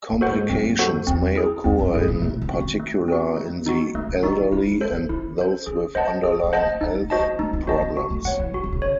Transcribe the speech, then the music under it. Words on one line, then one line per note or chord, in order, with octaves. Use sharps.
Complications may occur in particular in the elderly and those with underlying health problems.
G#2
A2 F#4 A4 C5 F#5
G#2
F#2 C4
F#4 A4 C5 F#5
E2 C4
E4 G#4
E2 C4
F#2
G#2 E4 G#4
A2
A2 A3
C#3
C4 F#4
D#3
A3
C4 F#4
A3
D#4 F#4
D#3 A3
C#3
C4 D#4 F#4
C#4
C4 E4
G#3
A4 C5
C4
C#4 E4
A4 C5
C#4 G#4
C4 C5 D#5 F#5 A5
C#4 G#4
C4
C5 D#5 F#5 A5
A3
G#3 D#4
A3
F#4 C5 D#5 A5
C4
A3 D#4
C4
C#4 F#4 C5 D#5 A5
C4
C4 F#4
A3
C4 C#5 F#5
E3
D#3 F#4
D#3
C#3
C#5